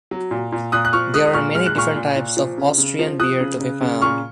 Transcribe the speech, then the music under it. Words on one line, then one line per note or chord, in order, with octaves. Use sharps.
There are many different types of Austrian beer to be found.
F#3
A#2
A#2
A#2 D#6 F#6
F#6
F3 C#6 F6
G#3 D#6 F#6
D#6
A#2 C#6 F6
G#3 F6
F#6
A#2 C#6 F6
A#2
A#2
F3
C#3
C#3
F3
F3 D#6 F#6
C#3
C#3
C#3
A#2 C#6 F6